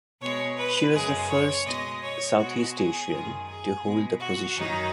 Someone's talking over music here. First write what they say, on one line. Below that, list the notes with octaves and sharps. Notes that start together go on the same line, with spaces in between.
She was the first Southeast Asian to hold the position.
B2 G#3 C#5
B4
F#2 C#3 G#3 G#4
C#5
B2 G#3 D#5
C#5
B2 G#3 F#4
G#4
F#2 D#3 G#3
G#4
B2 G#3
F#4
F#2 D#3 F#3 D#4